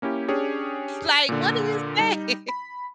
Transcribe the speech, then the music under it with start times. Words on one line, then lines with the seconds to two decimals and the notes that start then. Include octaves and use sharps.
like, what do you say,
0.02 A#3 C#4 E4 G4
0.28 C#4 D4 G4 G#4 C#5
1.29 A#2 D3
1.99 G3 D#4
2.49 B5